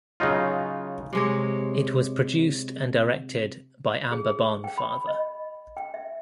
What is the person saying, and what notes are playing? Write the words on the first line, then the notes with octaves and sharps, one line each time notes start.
It was produced and directed by Amber Barnfather.
C#3 F#3 D#4 F4
C3 G#3 C#5
G#4
G#4
G5
B5
D#5
G5
E5